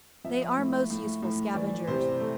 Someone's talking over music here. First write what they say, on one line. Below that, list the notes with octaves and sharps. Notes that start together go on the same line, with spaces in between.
They are most useful scavengers.
F3 E5
A2
A2
A2
E3 D5
C3 C5
A3